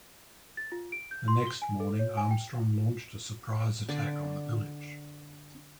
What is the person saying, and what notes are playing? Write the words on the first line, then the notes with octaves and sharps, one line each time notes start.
The next morning Armstrong launched a surprise attack on the village.
A6
F4
D7
G6
C6
G7
G#5
A4
C#5
G#5
G5
D3 D5